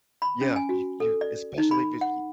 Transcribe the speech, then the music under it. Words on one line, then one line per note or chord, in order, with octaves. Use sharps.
Yeah, c you you especially if it's y
B5
C#4
G#5
F#4
A4
D5
D#4
B5
F#5